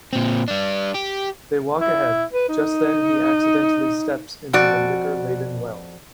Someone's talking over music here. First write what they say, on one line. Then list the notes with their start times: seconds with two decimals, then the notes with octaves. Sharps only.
They walk ahead, just then he accidentally steps into the liquor-laden well.
0.13 A#2 C4
0.48 G3 D4
0.95 G4
1.80 E4
2.32 B4
2.49 D#4
4.53 F2 F#4 D5